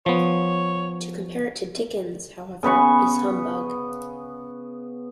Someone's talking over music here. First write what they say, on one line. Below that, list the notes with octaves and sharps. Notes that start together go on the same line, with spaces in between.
To compare it to Dickens, however, is...humbug.
F3 B3 C#5
C#3 B3 B5 C#6